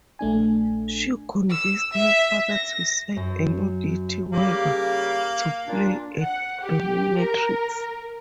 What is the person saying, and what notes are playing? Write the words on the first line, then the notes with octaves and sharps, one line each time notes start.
She convinced her father to sign a "nudity waiver" to play a dominatrix.
A#1 A3 D4 G#5
E6
E5
A#6
F#2
C#3 G3 A#3 G4 F5
A#2 D4
F#5
G4
A#4